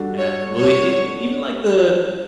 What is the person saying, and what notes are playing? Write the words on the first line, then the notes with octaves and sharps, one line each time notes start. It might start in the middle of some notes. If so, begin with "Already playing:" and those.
Absolutely, e e even like the
Already playing: G3 D4 F#4 A4
C#5
C#5